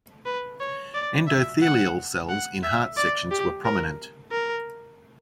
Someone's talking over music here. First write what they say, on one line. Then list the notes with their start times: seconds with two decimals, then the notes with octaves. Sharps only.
Endothelial cells in heart sections were prominent.
0.26 B4
0.60 C#5
0.94 D5
1.27 E5
1.62 F#5
2.29 F#5
2.63 E5
2.97 D5
3.31 G4
3.65 A#4
4.32 A#4